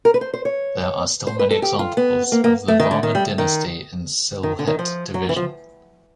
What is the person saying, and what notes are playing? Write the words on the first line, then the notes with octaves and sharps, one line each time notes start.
There are still many examples of the Varman dynasty in Sylhet division.
A#4
B4
C5
C5
C#5
C5
B4
A4
G4
F4
B3
A#3
A#3
A3
D#3
D3
D#3
G3
D#3
D#3
D3
D#3
F3
F#3
E3
F3